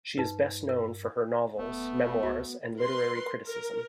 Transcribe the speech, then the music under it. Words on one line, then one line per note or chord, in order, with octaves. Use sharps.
She is best known for her novels, memoirs and literary criticism.
G2 D#4 B4
A#4
D#1 A3 B3
C#2 F#4
A#4 B4 C6
A#4